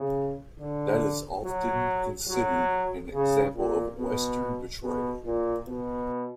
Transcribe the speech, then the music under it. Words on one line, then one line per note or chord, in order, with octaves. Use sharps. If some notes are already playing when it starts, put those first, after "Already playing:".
That is often considered an example of Western betrayal.
Already playing: C#3
D3
F#3
F#3
C#3
A#2
B2
B2
A#2
B2